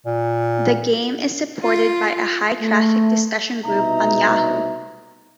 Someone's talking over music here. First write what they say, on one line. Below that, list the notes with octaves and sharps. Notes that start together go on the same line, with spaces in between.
The game is supported by a high-traffic discussion group on Yahoo!
A#2
F4
A3
C2 B2 D#4 E5 A#5